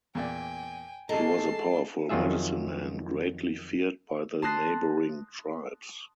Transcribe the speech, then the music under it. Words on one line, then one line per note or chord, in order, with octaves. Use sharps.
He was a powerful medicine-man, greatly feared by the neighboring tribes.
E2 A#2 D5 G5 G#5
A1 G#3 A4 A5 A#5 C7
F2 D#3 F#3 F4 G#4 E5
A5 C6 D#6 F#6 A#6 C7